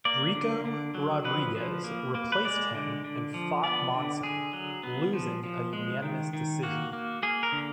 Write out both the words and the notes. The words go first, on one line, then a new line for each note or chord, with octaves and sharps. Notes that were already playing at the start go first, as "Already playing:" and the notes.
Ricco Rodriguez replaced him and fought Monson, losing a unanimous decision.
A#3 D5
D3
D3
F#3
F3 B4
F3
A#3
A#3
B4
G#3 D5
D3
D3
F3
B3 D5
D3
D3 G#4
F#3
B3
F3
F3
G#3
D#3
D#3
A#3 F#4
A#3
A#3 G#4
A#4
D3